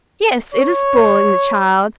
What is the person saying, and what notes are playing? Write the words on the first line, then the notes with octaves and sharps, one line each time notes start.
'Yes; it is spoiling the child.
C#5